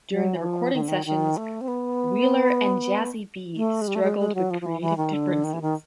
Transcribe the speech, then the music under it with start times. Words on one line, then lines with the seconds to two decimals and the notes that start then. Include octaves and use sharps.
During the recording sessions, Wheeler and Jazzie B struggled with creative differences.
0.11 F#3
0.35 E3
0.42 F3
0.74 D#3
0.81 D3
0.88 D#3
1.06 D#3
1.37 A3
1.61 C4
1.68 B3
3.56 A3
3.81 G#3
3.88 G3
3.95 A3
4.03 G#3
4.19 G#3
4.35 F#3
4.50 F3
4.61 F3
4.66 E3
4.81 E3
4.97 D#3
5.13 D3
5.44 D#3
5.53 E3
5.62 D#3